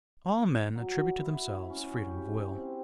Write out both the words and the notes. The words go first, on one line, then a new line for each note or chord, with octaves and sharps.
All men attribute to themselves freedom of will.
F#3
E4
C#4
G4
C4